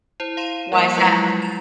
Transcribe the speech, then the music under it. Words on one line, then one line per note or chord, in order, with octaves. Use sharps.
Why's that?
E4 C5
F5 C6 D#7 E7
F3 G3 A#3 F#5
F#3 G#3 E4 F4 C7 C#7
A6 E7 F7